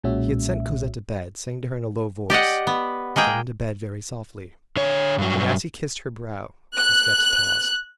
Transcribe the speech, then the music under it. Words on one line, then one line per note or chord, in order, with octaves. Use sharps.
He had sent Cosette to bed, saying to her in a low voice, "Get into bed very softly"; and as he kissed her brow, the steps paused.
B1 A#2 G#3 C#4 F#4 E5
G4 D5 D#5 F#5
B3
G#3 A#3 G#4 G5
D3 C#5
G2 F#3
F#6